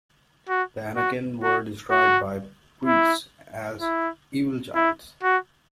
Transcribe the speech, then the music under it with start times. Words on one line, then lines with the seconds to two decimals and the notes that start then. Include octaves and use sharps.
The Anakim were described by priests as evil giants.
0.49 F#4
0.96 F#4
1.43 F#4
1.91 F#4
2.86 E4
3.81 E4
4.76 E4
5.23 F#4